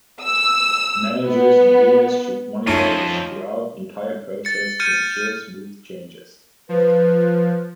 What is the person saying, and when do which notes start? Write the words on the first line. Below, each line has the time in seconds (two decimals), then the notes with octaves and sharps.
Managers and leaders should monitor this throughout the entire process to ensure smooth changes.
0.22 E6
1.23 B3
2.67 F2 A3 C#4 D#4 F4 C#5 D#7
4.45 A6 C#7
4.80 F6 G6 G#6 C#7 D#7
6.69 F3 B4